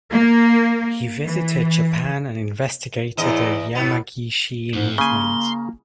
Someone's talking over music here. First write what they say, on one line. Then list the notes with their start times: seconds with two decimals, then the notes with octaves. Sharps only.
He visited Japan and investigated the Yamagishi movement.
0.11 A#3
1.24 E3
3.17 E2 A2 D#5
3.75 A2 B3
4.74 F2 G#2
4.98 C#3 A#3 G#5 C6